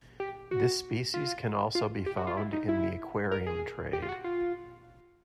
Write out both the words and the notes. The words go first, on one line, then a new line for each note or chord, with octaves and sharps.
This species can also be found in the aquarium trade.
G4
F#4
F4
F4
G4
F#4
F4
E4
D#4
E4
A#4
G#4
G4
F4
F#4
F4